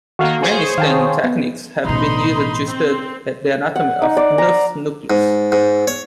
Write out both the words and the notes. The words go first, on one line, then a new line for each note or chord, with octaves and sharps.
Many staining techniques have been used to study the anatomy of Onuf's nucleus.
D#3 A#3 F#4 A4 F5
G#4 C5 C#5
D#3 F5 G5 A5
B3
A1 B2 D#4 B5 C6
C4
F#5
D#4
D5
A#5
G#2
G#2
C#5